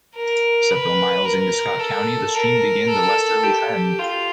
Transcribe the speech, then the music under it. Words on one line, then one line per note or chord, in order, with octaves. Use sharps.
Several miles into Scott County, the stream begins a westerly trend.
A#4
B4
A#4
A4
A#4
A4
G4
F4